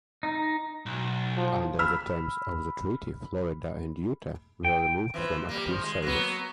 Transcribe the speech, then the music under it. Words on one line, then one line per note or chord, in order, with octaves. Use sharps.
Under the terms of the treaty, "Florida" and "Utah" were removed from active service.
D#4
B1
F3
B5 E6 F6
G5
E3 F3
G3 A#3
D#3 F3
G#3
F#3 A#3 B3